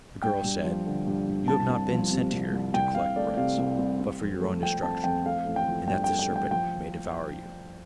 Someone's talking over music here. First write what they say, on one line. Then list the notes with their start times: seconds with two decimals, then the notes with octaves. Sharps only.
The girl said: 'You have not been sent here to collect rents, but for your own destruction, and that the serpent may devour you.'
0.22 G2 G5
0.44 G2
0.64 F3
0.86 D3
1.07 G2
1.28 G2
1.48 C2 A5
1.69 C2
1.91 F3
2.12 C3
2.32 C2
2.53 C2
2.74 C2 G5
2.95 C2 F5
3.16 A3 D5
3.37 C3 F5
3.58 C2
3.78 C2
3.99 C4
4.21 F2
4.41 A3
4.62 F3 G5
4.83 C4 A5
5.04 F2 G5
5.26 A3 F5
5.46 A1
5.56 G5
5.68 F3
5.88 G2 G5
6.04 G5
6.10 A3
6.19 G5
6.29 A1
6.36 G5
6.51 F3 G5